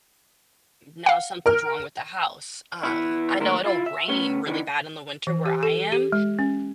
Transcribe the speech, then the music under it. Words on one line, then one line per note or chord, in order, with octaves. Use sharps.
now something's wrong with the house. Um, I know it'll rain really bad in the winter where I am,
F5 F#5
A#4 F6
E3 B3 E4
D#3 A3 A#3 A#4 C5
E4 F4
E5
A3 B3 C#4
D#3 E3 A#3 B3 D4 D#4
E3
G4
A4
G4
G#3
C#4